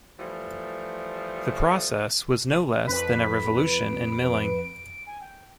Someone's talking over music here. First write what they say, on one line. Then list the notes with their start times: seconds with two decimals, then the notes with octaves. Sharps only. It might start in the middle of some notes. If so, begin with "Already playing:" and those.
The process was no less than a revolution in milling.
0.19 E3 F3 G3 A3
2.87 F2 B4 B6
3.69 D7
5.07 G#5
5.21 G5